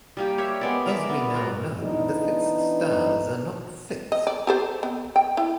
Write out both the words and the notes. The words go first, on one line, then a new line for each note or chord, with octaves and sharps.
As we now know, the fixed stars are not "fixed".
G3 A#3 G4
A#4 C#5 E5
G#3 B3 D5
A#4 D5 E5 D6
B3
F4 F#4 A#4
E3 B3 D4 D#4
D#5
D5
G4 A4 C5
B3
G5
E4